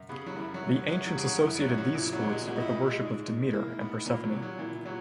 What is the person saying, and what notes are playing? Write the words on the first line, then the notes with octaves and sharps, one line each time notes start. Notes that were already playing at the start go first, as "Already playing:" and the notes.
The ancients associated these sports with the worship of Demeter and Persephone.
Already playing: F#2
C#3 B3
F#3
F#2 E3
F#3
F#2
F#3
F#2 F#3
F#3
C#3
F#3
F#2 E3
F#3
F#2
F#3
A#2 E3
F#3
A#2
G#3
A#2 F#4
D#4
E4
D#4
A#2 E4
G#3
G#2
G#2
E3 A#3
G#2 B3
A#2 A#3
F#3
A#2
F#3
A#2 E3
A#2 F#3